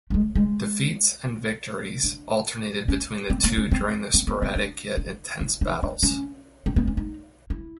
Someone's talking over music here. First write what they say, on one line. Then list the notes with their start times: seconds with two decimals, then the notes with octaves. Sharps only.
Defeats and victories alternated between the two during the sporadic-yet-intense battles.
0.10 A3
0.14 G#3
0.35 G#3
2.03 D4
2.88 C#4
3.30 C4
3.44 A#3
3.57 C#4
3.71 C4
4.14 C4
4.27 B3
4.42 C4
4.56 D4
4.97 D#4
5.41 E4
5.61 D#4
5.83 D4
6.03 C#4
6.66 C4
6.76 B3
6.87 C#4
6.97 D#4
7.50 E4